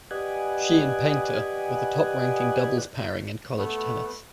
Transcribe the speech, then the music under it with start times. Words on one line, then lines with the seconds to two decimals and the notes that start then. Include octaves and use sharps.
She and Paynter were the top ranking doubles pairing in college tennis.
0.11 G4 B4 D5 D#5 F#5 G#5
3.57 A3 B3